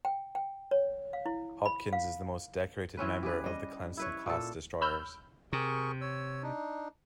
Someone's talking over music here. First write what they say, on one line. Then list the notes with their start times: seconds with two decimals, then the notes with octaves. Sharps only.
"Hopkins" is the most decorated member of the Clemson-class destroyers.
0.05 G5
0.35 G5
0.71 C#5
1.13 F5
1.26 E4
1.65 B5
1.93 F5
2.97 E3 C4 C#4 B4
3.23 G4 G#4 B4
3.44 G3 D#5
3.97 E4 B4 C#5
4.26 A#2 A4
4.81 C#5 B5 E6 F6 G6
5.53 C3 G#4 A#4 C#6
6.01 C#5 E6
6.43 D4 D#4